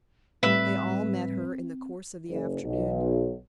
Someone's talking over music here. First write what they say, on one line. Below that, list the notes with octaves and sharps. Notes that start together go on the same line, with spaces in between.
They all met her in the course of the afternoon.
A2 G3 C4 B4 E5
F#1
B1